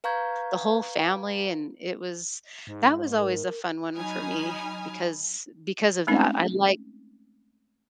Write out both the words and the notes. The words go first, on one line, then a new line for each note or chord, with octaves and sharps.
the whole family, and it was that was always a fun one for me because because of that, I'd like
B4 F5 A#5 C#6 G6 G#6
G#2
A#4
F#3 D#4 G#5 B5 D#6 F6
G#3 A3 C4 C#4 D#4